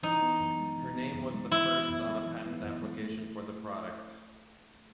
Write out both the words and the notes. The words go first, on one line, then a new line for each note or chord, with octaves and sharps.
Her name was the first on a patent application for the product.
E3 D#4
B3
F#2
G#3
E3
B3
F#2
G#3
E3 E4
B3
F#2
G#3
E3
B3
F#2
G#3
A3